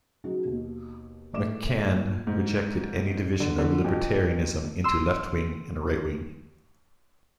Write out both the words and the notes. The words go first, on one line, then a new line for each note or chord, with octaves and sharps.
Machan rejected any division of libertarianism into "left wing" and "right wing".
F#3 C#4 D#4 F#4 G#4
D#2 B2
A2 A3 D5 D6 E7
A3
A#2
G#2
D3
D3
F2
C6 E6